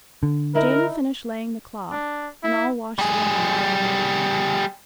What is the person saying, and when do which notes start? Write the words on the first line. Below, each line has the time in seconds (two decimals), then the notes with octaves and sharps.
Jane'll finish laying the cloth, and I'll wash the Lamb and get him ready.'
0.23 D3
0.55 D#4 E4 A#4
1.92 D4
2.44 E4
2.99 G3 G#4